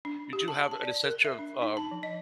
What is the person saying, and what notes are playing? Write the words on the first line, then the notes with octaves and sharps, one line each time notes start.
you do have an essential, um,
D4
G4
A5
A5
D5
A#4
E5
D4
D#4
A5
F3
D#5